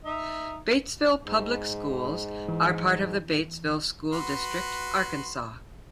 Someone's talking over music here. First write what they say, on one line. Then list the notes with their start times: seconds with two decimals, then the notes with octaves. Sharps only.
Batesville Public Schools are part of the Batesville School District, Arkansas.
0.04 D#4 E5
1.24 G#2
2.49 E3
4.13 F#4 B4 C6